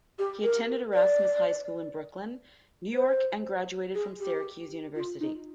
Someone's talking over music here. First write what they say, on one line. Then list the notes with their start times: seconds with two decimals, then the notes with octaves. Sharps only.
He attended Erasmus High School in Brooklyn, New York and graduated from Syracuse University.
0.19 G4
0.43 A#4
0.94 D5
2.94 C5
3.95 G#4
4.20 G4
4.95 F4
5.20 D#4